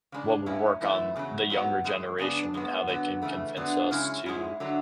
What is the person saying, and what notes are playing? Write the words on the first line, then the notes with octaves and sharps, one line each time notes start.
what will work on the younger generation and how they can convince us to
C#3 G#3 D4
A2 F#3 C#4 E4
F#2 E3 A3 E4
E2 C#3 F#3
G#2 F#3 B3
F#2 E3 G#3
C#3 G#3 B3 D4
A2 G#3 B3
D3 F#3 B3
C#3 E3 A3 E4
D3 F#3 B3 D4
F#2 C#3 G#3 C#4 E4
G#2 G#3 C#4 E4
D3 F#3 A3